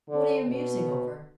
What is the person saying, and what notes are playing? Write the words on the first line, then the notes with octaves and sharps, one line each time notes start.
"What are you musing over?"
D3
B2